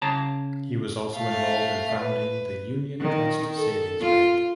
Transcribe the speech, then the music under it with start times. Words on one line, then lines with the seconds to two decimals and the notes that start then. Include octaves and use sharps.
He was also involved in founding the Union Trust Savings Bank.
0.02 C#3 C#5 A5 A#5
1.17 A3 F5
2.00 B4
3.00 D#3
3.57 A4
4.01 F4